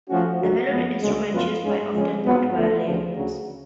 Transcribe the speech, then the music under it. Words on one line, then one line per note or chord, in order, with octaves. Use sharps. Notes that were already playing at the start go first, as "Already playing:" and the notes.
The melody instruments used are often both violins.
F3 A3 C#4 F#4
F#2 D3 F#3
F#2 F3 G#3 B3
D2 C#3 G#3
F#2 F3 B3 F4 B4
G#2 G#3 C#4
F2 C#3 G#3 C#4
G#2 F#3 B3 F4
D2 D3 F3 A3 F4
D2 C#3 F3
D2 C#3 F#3